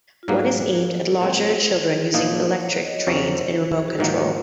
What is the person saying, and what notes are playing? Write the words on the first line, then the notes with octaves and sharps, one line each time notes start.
One is aimed at larger children using electric trains and remote control.
F4
G#2 F#3 A#3 F#4
G#4
A#4
C#5
A#2 G#3 C4 C5
G#4
A#2 F3 A#3 D#4 A#4
C#5
D#5
C#5
F2 C3 F#3 C#4 C5
G#4
F#4
G#2 D#3 F#3 A#3 F4